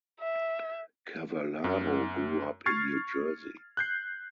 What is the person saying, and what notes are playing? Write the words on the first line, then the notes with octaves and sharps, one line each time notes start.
Cavallaro grew up in New Jersey.
E5
F#2
C#6 F6 G#6 A6 C7
F#6 G6 C7